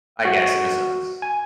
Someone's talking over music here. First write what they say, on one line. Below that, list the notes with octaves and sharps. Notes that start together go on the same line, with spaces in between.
I guess, in a sense.
F#4
G#5